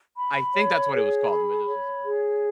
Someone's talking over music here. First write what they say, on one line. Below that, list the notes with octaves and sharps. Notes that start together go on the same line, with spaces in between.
I think that's what it was called, "The Magician's Apprentice." Yes,
B5
C#5
G#4
B5
C#5
G#4